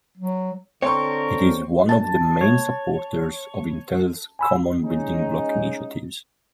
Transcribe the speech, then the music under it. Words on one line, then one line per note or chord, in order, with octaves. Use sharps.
It is one of the main supporters of Intel's Common Building Block initiatives.
F#3
D3 C4 A#4 C#5 G5 C6 C#6
A5
C#5
G#5 B5 E6
G#3 C#4 D#4